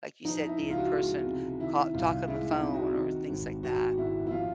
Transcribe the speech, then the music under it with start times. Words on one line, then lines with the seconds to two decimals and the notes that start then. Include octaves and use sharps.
like you said, be in person, call talk on the phone or things like that.
0.25 F3 D#4
0.47 E4
0.59 C#2
0.70 F4
0.78 F#4
0.86 F4
0.92 G#3
1.26 C3
1.60 D#3 E4
1.94 C2 F4
2.28 G#3 E4
2.51 D#4
2.62 C3
2.73 F#4
2.96 D#3
3.30 G#1
3.63 G#1 F#4
3.98 G#2 E4
4.27 E4
4.31 F3 F4